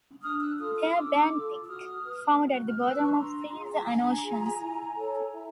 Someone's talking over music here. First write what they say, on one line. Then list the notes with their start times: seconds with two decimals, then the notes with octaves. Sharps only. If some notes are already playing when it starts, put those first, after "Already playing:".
They are benthic, found at the bottom of seas and oceans.
0.22 D4 D#6 F6
0.41 E6 F#6
0.58 F4 A4 D#6 F6
0.77 D#6 F6
0.95 D4 D6 E6
1.32 F4 A4
1.63 E6
1.68 F#4 D#6 F6
2.04 B4
2.40 F#4
2.54 F#6
2.66 F6
2.77 B4 E6 F#6
3.02 C#6
3.13 D4 A#5 C6
3.50 F4 G#4
3.85 D4 G#5 A#5
4.22 F4 G#4
4.59 E4
4.95 A4 C#5
5.32 E4